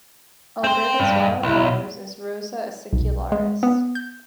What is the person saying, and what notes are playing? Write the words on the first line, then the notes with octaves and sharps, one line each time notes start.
Alberta's "wild rose" is "Rosa acicularis".
C4 C5 G5
G2
B1 E4
B1
G#3
B3
G6